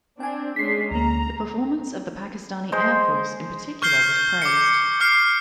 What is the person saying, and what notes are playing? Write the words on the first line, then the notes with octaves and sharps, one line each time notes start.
The performance of the Pakistani Air Force, in particular, was praised.
C4 D4 G5 G#5
G#3 C#4 D4 B6 C7
D2 A#3 A#5
G#3 C5
C#6 F6 G6 C7 G7
D6 C#7
D6 F6 C7